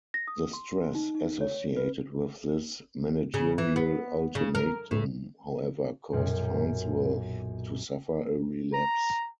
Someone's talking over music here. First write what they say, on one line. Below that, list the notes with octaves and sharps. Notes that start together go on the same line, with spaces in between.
The stress associated with this managerial ultimatum, however, caused Farnsworth to suffer a relapse.
A#6
D#6
C6
D#4
D#4
C#5
B4
C#3
E3
B3
C#3
A#4
A2
B1 F#2 A#2
A#5